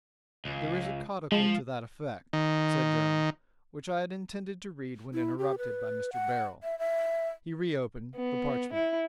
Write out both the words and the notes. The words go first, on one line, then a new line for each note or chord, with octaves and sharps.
"There is a codicil to that effect," said Durham, "which I had intended to read when interrupted by Mr. Beryl." He re-opened the parchment.
C#2
F3 G#3
D#3
E4
G4
B4
F#5
E5
E5
B3
E4